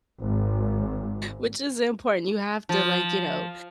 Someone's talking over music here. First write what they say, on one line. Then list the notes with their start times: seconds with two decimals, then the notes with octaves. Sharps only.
Which is important, you have to, like, you know
0.20 G#1
2.69 F3